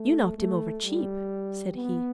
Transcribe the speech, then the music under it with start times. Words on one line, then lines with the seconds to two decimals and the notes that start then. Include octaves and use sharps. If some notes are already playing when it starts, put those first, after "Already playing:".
"You knocked him over cheap," said he.
Already playing: A3
0.38 A3
0.85 G3
1.76 B3